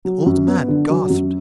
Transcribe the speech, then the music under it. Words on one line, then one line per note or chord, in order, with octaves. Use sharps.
The old man gasped.
F#3
F#2
B3
D3
F#3
F#2